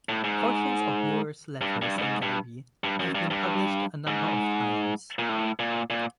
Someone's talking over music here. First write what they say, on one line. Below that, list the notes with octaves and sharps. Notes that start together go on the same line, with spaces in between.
Portions of Moore's letters and diary have been published a number of times.
A2
G#2
G2
G2
G2
G#2
G2
G2
F#2
G2
G2
G#2
A#2
A2
A#2
A#2